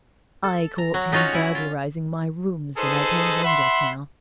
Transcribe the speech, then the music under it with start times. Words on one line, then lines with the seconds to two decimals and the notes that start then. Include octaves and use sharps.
I caught him burglarizing my rooms when I came home just now.
0.44 A4
0.78 A#5
0.94 F#3
1.12 C#4 D#4 F4 F#4 C#5
1.33 E4 F#5 G#5
1.55 F4
2.77 D#4 G#4 A4 B4 C5
3.45 E5 F#5 B5 C6